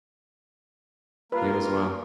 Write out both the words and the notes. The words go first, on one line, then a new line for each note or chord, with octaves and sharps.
You as well.
G3 A#3 F4 A#4 B4